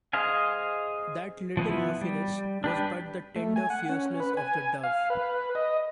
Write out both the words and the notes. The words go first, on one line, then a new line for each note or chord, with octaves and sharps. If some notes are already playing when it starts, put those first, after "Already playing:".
That little huffiness was but the tender fierceness of the dove.
G#4 C5 D#5 F5 G#5
F3 B3 E4
G3
D4 G4 B4
A3
G#5
F#5
C#4
B4
G#5
F5
B4
D#5